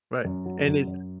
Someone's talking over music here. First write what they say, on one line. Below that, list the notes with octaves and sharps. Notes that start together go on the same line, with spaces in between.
Right. And it's
F#2
F#3
F#2
F#2